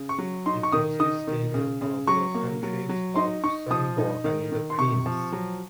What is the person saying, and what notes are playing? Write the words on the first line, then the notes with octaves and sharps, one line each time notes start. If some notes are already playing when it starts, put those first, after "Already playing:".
It consisted of the counties of Sunbury and Queen's.
Already playing: C#3
C#6
F#3
D#4 C6
C#6
D#3 D#6
D#4 D#6
D#3
C#3
C#3
F#3 C#6
A#3
F#3
F#3
D#4 C6
D#4 C#6
F3 D#6
D#4
D#3
D#3
C6
C3 C#6
F3
F#3